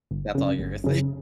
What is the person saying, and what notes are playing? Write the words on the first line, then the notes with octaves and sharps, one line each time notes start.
That's all yours.
G1
F#2 C#3
G1
F#2 C#3